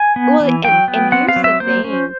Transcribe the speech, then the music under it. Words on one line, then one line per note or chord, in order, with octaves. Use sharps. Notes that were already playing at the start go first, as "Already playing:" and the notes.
well, and and here's the thing,
Already playing: G#5
B3
E3
F#3 G5
B3
C4 F#5
F5
F#3
E5
A#3 C5
C#4